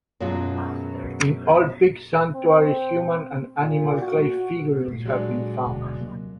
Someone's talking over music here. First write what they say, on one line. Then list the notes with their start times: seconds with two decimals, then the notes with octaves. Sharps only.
In all peak sanctuaries, human and animal clay figurines have been found.
0.20 F#2 B2 F#3 G#3 F4
2.35 C4
3.60 A#2
4.02 F#4
4.88 A#2 A3
5.05 F#3 G#3 D4
5.66 D#1 B2 D3
5.99 C3 F#3 A#3